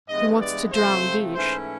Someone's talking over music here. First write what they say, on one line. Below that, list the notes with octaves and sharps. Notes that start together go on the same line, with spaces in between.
"He wants to drown Guiche."
G2 E3 G#3 B3 D#5
D5
C3 F3 A3 C4 C5
G#2 E3 A3 C#4 E4 C5